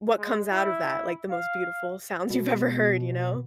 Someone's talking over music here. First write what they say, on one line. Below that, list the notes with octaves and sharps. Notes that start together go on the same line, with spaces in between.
what comes out of that, like, the most beautiful sounds you've ever heard, you know?
G#3
E4
F5
B2